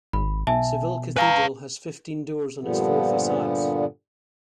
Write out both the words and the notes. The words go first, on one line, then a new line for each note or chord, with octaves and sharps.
Seville Cathedral has fifteen doors on its four facades.
G#1 B5
B1 E5 G#5 A5
B4 F5 G#5 A#5
G2 A#2 D3 F3 B3